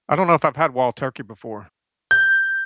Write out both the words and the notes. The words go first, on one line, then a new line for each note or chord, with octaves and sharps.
I don't know if I've had wild turkey before.
G6